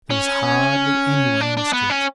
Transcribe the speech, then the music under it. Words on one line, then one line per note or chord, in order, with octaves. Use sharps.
There was hardly anyone in the streets.
C#4
D4
D4
B3
C#4